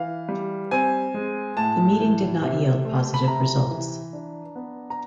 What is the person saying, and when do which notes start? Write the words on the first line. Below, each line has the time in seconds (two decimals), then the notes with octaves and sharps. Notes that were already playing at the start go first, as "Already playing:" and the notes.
The meeting did not yield positive results.
Already playing: E3 F5
0.29 G3
0.71 C4 G#5
1.14 G#3
1.57 A2 A5
2.00 E3
2.42 C3
2.85 A3
3.14 B5
3.27 C3 A#5
3.70 E3
4.13 D4
4.56 B3
4.90 A#5